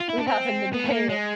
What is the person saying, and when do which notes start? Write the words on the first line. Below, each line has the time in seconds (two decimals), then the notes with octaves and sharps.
we have in the day, and
0.01 F4
0.10 E4
0.18 D4
0.27 C4
0.73 B3
0.85 A3
0.91 A#3
1.09 G#3